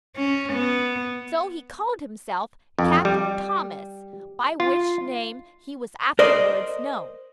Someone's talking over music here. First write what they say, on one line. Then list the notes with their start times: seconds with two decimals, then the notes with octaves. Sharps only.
So he called himself Captain Thomas, by which name he was afterwards known.
0.16 C#4
0.53 B3
2.79 F2
3.05 G3
4.60 F4
6.19 A#4 C5 D5 D#5